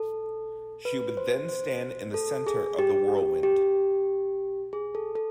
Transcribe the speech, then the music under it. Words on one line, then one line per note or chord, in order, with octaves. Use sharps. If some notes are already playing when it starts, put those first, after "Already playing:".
She would then stand in the centre of the whirlwind.
Already playing: A4
B4
C5
C5
A4
G#4
G4
G4
G#4
A4
A4